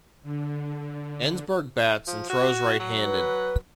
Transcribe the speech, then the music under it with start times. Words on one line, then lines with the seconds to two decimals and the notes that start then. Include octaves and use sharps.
Ensberg bats and throws right-handed.
0.23 D3
2.07 F3
2.30 F#4
2.80 F#3
3.05 B4